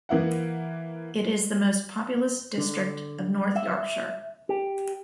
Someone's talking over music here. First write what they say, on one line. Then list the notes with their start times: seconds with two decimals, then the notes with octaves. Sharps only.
It is the most populous district of North Yorkshire.
0.09 E3 A#3 E4 F#5
2.58 D3
3.55 E5
4.49 G4